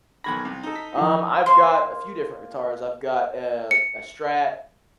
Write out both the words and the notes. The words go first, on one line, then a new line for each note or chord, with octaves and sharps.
Um, I've got a few different guitars. I've got, uh, a Strat.
B1 D#3 B5 F#6 G#6 A#6
C2
D#4 A4
A#5 B6
F3 E4
A#3 C6
C#7